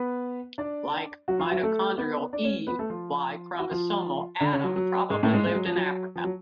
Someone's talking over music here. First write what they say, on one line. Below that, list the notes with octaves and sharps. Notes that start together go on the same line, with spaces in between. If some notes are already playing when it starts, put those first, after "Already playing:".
Like mitochondrial "Eve", Y-chromosomal "Adam" probably lived in Africa.
Already playing: B3 B4
D4 D5
F#3 F#4
F3 F4
F#3 F#4
A3 A4
B3 B4
D4 D5
C#4 C#5
B3 B4
A3 A4
F3 F4
F#4
F3 F4
D3 D4
C#3 C#4
F#3
F#3
G#2 G#3
A2 A3
G#2 G#3
G#3
F#3
F3
F#3
F3
F#3